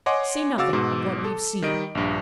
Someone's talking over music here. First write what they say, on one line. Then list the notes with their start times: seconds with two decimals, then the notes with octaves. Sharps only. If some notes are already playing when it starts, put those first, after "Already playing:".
Say nothing of what we've seen.
0.06 C#5 D#5 F#5 G#5 C6 D6
0.58 C#3 F#4 F5 D6 E6 A6
0.73 G#2 B2
1.24 A4
1.62 D#3 G3 D#5 D7
1.95 A#1 G2